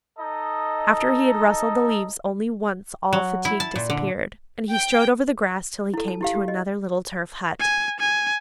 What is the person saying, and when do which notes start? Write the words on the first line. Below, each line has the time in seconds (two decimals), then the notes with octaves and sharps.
After he had rustled the leaves only once all fatigue disappeared, and he strode over the grass till he came to another little turf hut.
0.18 D#4 A4 D#5
3.13 F#3
3.45 E4
3.60 A5
3.76 A#2
3.90 D3
4.71 G5
5.94 E4 A4
6.08 A5
6.21 E4 G4 F5
6.35 G4
6.48 D#5
7.59 G#5
7.99 G#5